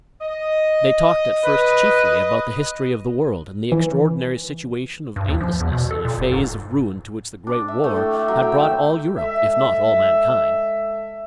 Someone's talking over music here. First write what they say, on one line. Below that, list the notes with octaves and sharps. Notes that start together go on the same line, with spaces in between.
They talked at first chiefly about the history of the world and the extraordinary situation of aimlessness in a phase of ruin to which the Great War had brought all Europe, if not all mankind.
D#5
B4
E3
G2
D#2
F3
E2
B2
A4
A#2
D#1
G#2
D4
E5
A3
A2
E5
F#3
G5
E5
G#3 A4 E5